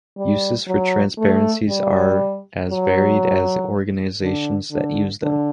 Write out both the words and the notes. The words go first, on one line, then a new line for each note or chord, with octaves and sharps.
Uses for transparencies are as varied as the organizations that use them.
G3
F#3
A3
G3
F#3
D3
D3
D3